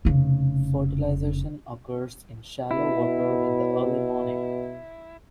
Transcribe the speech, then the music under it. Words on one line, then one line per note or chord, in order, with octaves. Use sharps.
Fertilization occurs in shallow water in the early morning.
F1 C#3
B2 E4